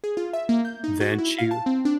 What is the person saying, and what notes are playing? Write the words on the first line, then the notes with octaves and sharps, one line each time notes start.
then she
G#4
F4
E5
A#3
G6
D#4
F#4
E4
F5
A5
C4
D4